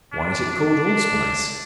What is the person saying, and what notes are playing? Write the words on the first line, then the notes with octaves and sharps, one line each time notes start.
Why is it called Allspice?
D4
D4